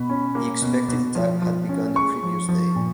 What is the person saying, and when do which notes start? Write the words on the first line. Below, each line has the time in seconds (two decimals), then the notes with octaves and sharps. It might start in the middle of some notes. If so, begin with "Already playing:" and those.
The expected attack had begun the previous day.
Already playing: B2 B5
0.09 C#4
0.35 A#3
0.62 B2
0.88 B2
1.15 F3
1.42 F3
1.69 C#4
1.96 G#3 C#6
2.23 F3
2.49 F3
2.76 A#2